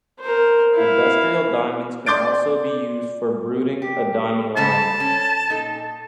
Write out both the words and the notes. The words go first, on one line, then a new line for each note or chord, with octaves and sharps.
Industrial diamonds can also be used for bruting a diamond round.
A#4 C5
E4 F5
D5 C6 D6 G6 A6 D7
G4
C#3 A4 C5 A5
C#4
A#2 D#4 A4